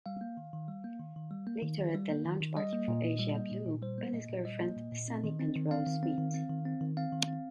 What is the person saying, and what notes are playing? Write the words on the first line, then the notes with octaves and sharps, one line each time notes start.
Later at a launch party for Asia Blue, Benny's girlfriend, Sunny and Rose meet.
G3 F5
A#3
D#3
D#3
G3
A#3
D#3
D#3
G3
A#3
D#3
D#3
G3
A#3
D#3
D#3
G3 D#5
A#3
A#2
A#2
G3
A#3
A#2
A#2
G3 C5
A#3
A#2 D#5
A#2
G3 D#5
A#3
A#2
A#2
C4
D#3
C4
D#3
C4 F5
D#3
C4
D#3
C4
D#3
C4
D#3
C4 F5
D#3
C4